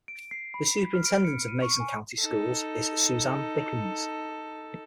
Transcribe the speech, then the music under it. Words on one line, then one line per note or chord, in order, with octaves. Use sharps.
The superintendent of Mason County schools is Suzanne Dickens.
D7
C7
B5
B6
F6
D7
C#7
D#7
C#6
G#5
D#4 A4